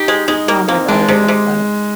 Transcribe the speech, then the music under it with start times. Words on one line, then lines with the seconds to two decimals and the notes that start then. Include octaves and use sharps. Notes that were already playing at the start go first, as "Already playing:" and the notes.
Oh, my daughter would love that.
Already playing: D#4 G4
0.08 G#3
0.28 G#3 D#4
0.48 A#3
0.68 A#3 C4
0.88 G#3 D4
1.08 C3 G#3
1.28 C3